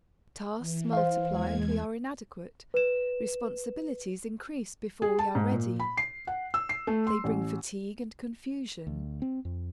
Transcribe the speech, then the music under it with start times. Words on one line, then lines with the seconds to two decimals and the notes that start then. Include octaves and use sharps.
Tasks multiply and we are inadequate, responsibilities increase before we are ready. They bring fatigue and confusion.
0.59 E3
0.93 C5 F5
1.28 E2 G#3 G#6
2.74 B4 E7
5.02 G#4
5.19 A5
5.35 G#2
5.52 A#2
5.80 B5
5.97 C7
6.27 F#5
6.54 E6
6.69 C7
6.87 A3
7.07 C6
7.24 A1
8.87 D2
9.22 C4
9.45 F2